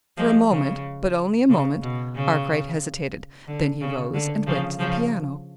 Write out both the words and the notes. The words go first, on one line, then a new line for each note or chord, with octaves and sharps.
For a moment--but only a moment--Arkwright hesitated; then he rose and went to the piano.
F3 G#3
C#3
C#3
B2
C#3
D3
C#3
D3
C#3 F3
C#3 F3